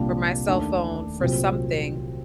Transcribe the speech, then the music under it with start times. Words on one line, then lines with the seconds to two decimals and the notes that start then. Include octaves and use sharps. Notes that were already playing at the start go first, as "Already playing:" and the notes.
for my cell phone for something
Already playing: C2 A#2 G3 A#3 D4
0.48 D#2 D#3 A3 D4
1.20 C2 A#2 F#3 C4